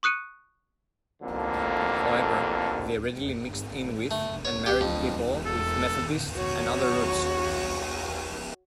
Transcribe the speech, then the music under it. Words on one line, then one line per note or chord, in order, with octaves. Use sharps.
However, they readily mixed in with and married people with Methodist and other roots.
C#6 D#6 F#6 C#7 D#7
A1 F2 D3 A#3
A3
C#5
G4
F2
A4
F#4 C#5